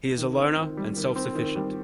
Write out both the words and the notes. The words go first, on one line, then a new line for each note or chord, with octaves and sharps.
He is a loner and self-sufficient.
D#3
C4
D#3
G3
D#3
C4
D#3
G3